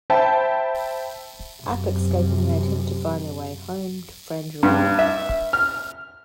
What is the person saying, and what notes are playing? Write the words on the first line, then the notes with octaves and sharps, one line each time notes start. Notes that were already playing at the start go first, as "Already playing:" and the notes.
After escaping, they attempt to find their way home to Frangeria.
C5 E5 G5 A5 B5
F#2 C3
G2
E5
F6